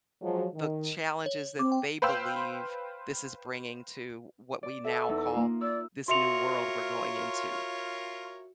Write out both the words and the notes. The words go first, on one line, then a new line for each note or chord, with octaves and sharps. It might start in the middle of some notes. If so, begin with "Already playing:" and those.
the challenges that they believe this is bringing to what we now call this new world we're going into.
F3 F#3 G#3
D#3
C#5
C4 D6
G5
B4 C5 F5 G5 C6 E6
D5
A4 E5
E2 D#4 E6
A#3 F4
D5 E6
F4 F#4 A#4 C#5 E5 C6 C#7 F7